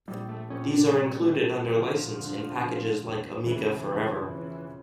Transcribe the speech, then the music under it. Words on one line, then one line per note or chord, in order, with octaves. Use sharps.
These are included under license in packages like Amiga Forever.
A#1 G3
A3
A#1 C#4
D4
G3 C#4
A3
A#1
D3 F3
D3
D3
E1
C#3 E3
F3
C#4